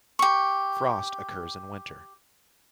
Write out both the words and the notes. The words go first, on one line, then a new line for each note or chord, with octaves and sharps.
Frost occurs in winter.
G4 C#6